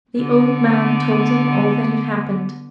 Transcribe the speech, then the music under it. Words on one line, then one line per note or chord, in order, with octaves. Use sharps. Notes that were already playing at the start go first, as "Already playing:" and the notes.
The old man told him all that had happened.
D3 B3